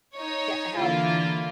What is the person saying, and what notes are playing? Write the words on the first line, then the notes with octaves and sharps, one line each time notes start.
k how
D#4 C#5
D3 E3 A#3 E4 F4